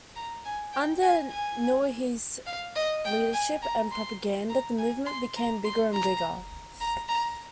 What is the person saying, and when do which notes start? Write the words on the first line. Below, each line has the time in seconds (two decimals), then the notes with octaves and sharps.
Under Nieuwenhuis' leadership and propaganda the movement became bigger and bigger.
0.16 A#5
0.45 G#5
0.73 G5
1.02 G#5
1.31 G#5
2.46 F5
2.76 D#5
3.04 G5
3.33 G#5
3.62 A#5
3.91 C6
4.49 A#5
4.78 G#5
5.06 C6
5.36 A#5
5.65 C6
5.93 A#5
6.81 A#5
7.09 A#5